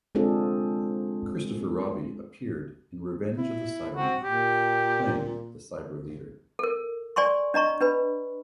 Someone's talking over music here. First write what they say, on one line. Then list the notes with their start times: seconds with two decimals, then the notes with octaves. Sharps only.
Christopher Robbie appeared in "Revenge of the Cybermen", playing the Cyberleader.
0.15 G#3 C4 D4 F4 G#4 A4
3.37 E4
3.96 C4 F#4
4.23 A#2 G4
6.59 A4 A#4
7.16 D5 G#5 C6 C#6
7.54 D4 D#5 A#5 C#6
7.81 D4 B4 B5